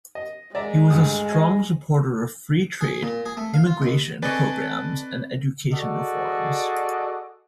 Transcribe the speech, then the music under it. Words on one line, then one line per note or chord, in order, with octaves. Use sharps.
He was a strong supporter of free trade, immigration programmes and education reforms.
D#5
G#3 D5 E5 A#5
D2 G2 D#6
D#5 G#5
G#4
A#2
G#4
A3
F5
F4
D#2
C4 D4 A4 B4 D5 D#5 G#5 C#6
F#4 G#4 A4 D5 D#5